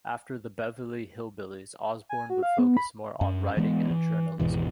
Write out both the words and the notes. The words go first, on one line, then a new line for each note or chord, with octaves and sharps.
After "The Beverly Hillbillies", Osborne would focus more on writing and journalism.
G#5
F#4
F5
B3
B5
F#2
E3 G#3 B3
E3
G#1 E2 B2 E3